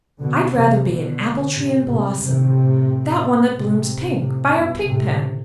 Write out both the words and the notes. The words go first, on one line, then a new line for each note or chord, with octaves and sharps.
"I'd rather be an apple-tree in blossom,--that one that blooms pink, by our pig-pen."
B2 D3
C3 E3
B2 D3
A2 C3
A2 C3
A2 C3
A2 C3
A2 C3
G2 B2
A2 C3